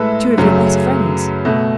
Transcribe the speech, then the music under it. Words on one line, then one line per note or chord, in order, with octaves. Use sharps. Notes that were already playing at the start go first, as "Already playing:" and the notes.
"Two of your best friends."
Already playing: A2 G#3 A4 B4 E5
F#2 C#3 F#3 A3
B2 A3